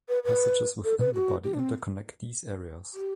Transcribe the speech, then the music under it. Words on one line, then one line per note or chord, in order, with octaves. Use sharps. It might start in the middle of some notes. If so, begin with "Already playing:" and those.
Passages within the body interconnect these areas.
B4
B4
A4
B4
F#4
G4
D4
C4
G4